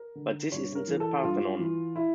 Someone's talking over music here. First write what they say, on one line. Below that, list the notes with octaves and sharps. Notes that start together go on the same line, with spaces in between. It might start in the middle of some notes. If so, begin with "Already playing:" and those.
But this isn't the Parthenon.
Already playing: A#4
D3
G2 C#5
A#4
E3
A4
G2 F4
E3
E4